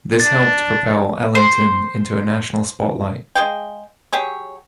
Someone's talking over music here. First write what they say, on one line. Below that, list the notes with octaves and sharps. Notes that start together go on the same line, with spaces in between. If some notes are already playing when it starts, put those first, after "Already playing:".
This helped propel Ellington into a national spotlight.
D4 A6
C5
G#3 G#4 F5 G5
F#3 G4 G#4 C#5